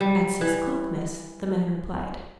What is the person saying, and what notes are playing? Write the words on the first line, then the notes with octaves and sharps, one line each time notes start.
"At six o'clock, miss," the man replied.
G3
E3